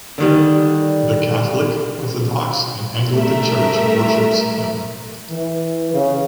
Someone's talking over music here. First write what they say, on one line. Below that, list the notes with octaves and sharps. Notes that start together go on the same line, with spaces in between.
The Catholic, Orthodox and Anglican church worships him.
D3 D#3 G3
G3 A3 A#4 E5
E3
C#3